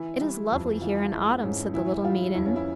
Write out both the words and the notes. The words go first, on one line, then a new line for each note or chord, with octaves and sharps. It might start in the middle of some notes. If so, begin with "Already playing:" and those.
"It is lovely here in autumn!" said the little maiden.
Already playing: E3 E4
G3
F2
E3 F4
F4
G#3 E4
G#2 C#4
E3 E4
G3 F4
F2 E4
C#4
E4